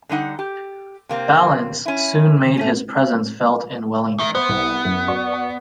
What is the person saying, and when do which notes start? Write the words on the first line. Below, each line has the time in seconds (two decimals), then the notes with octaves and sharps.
Ballance soon made his presence felt in Wellington.
0.09 D3 G3 D#4 F#5
0.39 G4
1.09 C3 A#3 C4
1.86 C#4 E4
2.57 A3 C#4
4.19 D#3 E5
4.35 B3 C5
4.49 C2
4.85 F#2
5.08 F#4 D5 C#6